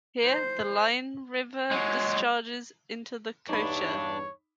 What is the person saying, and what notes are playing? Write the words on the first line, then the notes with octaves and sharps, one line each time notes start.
Here the Lein river discharges into the Kocher.
C5
F#3 G#3
E2 G2 D4 D#4 C#5 B5